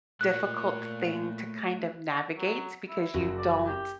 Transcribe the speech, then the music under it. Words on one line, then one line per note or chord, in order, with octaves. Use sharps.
difficult thing to kind of navigate, because you don't
A#2 A3 C#5 F#6
F#3
E4
F#1 C#3 F#4
D5
G4